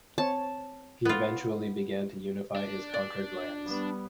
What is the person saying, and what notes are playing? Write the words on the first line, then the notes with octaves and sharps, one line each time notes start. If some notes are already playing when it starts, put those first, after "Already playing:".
He eventually began to unify his conquered lands.
C4 C#5 A5
B3 F4
D4
D5
G3 B3